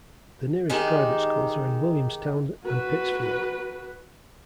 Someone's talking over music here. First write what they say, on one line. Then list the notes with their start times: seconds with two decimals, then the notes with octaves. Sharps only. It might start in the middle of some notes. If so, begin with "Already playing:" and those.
The nearest private schools are in Williamstown and Pittsfield.
0.70 D#3 G#3 D#4 G4
2.64 F#4 B4